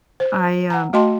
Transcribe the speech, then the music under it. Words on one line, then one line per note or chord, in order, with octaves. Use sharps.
I, um
C5
F#5 A#5
A3 F#4 D#5 G5 A5 C6